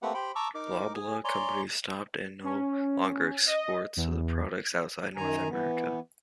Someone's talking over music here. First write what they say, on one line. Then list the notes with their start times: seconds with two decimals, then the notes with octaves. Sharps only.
Loblaw Companies stopped and no longer exports the products outside North America.
0.02 A3 A#3 C4 G4 B4 F#5
0.14 G4 C5 G5 B5
0.35 A5 A#5 C#6 D6 E6
0.55 D#4 A#4 D6
0.94 G#4 G#5
1.25 C#5 D5 G#5 A#5 C6
2.44 C#4
3.47 D#5
3.96 E2
5.16 F#2 D#3 G#5 A#5
5.48 E3 B3